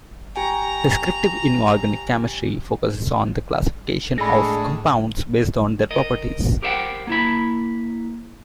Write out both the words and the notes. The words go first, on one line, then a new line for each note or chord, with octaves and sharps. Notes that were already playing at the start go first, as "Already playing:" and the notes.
Descriptive inorganic chemistry focuses on the classification of compounds based on their properties.
G4 G5 G#5 A#5
A2 G#3 D4 G#4 A4 B5 A#6
A#4 D#5
G4 A#4 C5 E5 F#5 G5
A#3 E4 B5